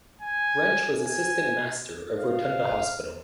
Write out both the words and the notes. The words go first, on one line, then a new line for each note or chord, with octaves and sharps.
Wrench was Assistant Master of Rotunda Hospital.
G#5
G#5
F5